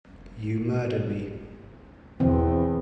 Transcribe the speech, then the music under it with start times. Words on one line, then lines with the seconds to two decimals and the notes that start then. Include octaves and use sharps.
You murdered me.
2.20 E2 B2 E3 C4